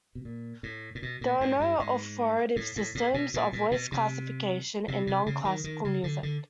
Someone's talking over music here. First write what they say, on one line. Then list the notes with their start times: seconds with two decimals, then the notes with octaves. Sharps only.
There is no authoritative system of voice classification in non-classical music.
0.15 B2
0.25 A#2
0.63 A2
0.95 A#2
1.02 B2
1.21 A#2
1.41 G#2
1.60 G2
1.79 G#2
2.56 A2
2.76 A2
2.95 A2
3.14 B2
3.34 A#2
3.53 A#2
3.71 B2
3.92 C3
4.88 C3
5.07 C3
5.26 C#3
5.45 D#3
5.64 D#3
5.84 C#3
6.04 D3
6.23 D3